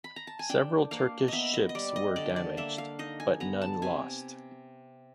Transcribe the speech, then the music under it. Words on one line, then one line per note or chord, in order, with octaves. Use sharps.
Several Turkish ships were damaged, but none lost.
B5
A#5
A5
G#5
D4 G5
A#3 F5
B3 D#5 E5
D#5
D#5
G3 D5
D#5
D3 D5
D5
A#3 E5
F5
D#4 D#5
G#5
B3 A#5
A5
C3 G#5